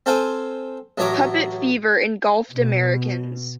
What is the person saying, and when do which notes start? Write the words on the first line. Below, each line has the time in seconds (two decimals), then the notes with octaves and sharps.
"Puppet-fever" engulfed Americans.
0.06 C4 A4 C5 F5 G5 G#5
0.98 A1 A2 F#3 C#5 A#5 D6
2.52 B2